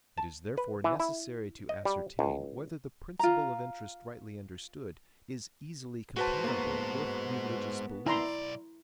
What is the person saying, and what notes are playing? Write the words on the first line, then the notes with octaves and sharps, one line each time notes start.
It is therefore necessary to ascertain whether the principle of interest rightly understood is easily compatible with religious belief.
A5
B4
E3
E4
D#5
G3
C#2
F4 A#5
G#3 F#4 B4 C5 A5
A#3 B3 A#4
B1 E4 D5 A#5 C6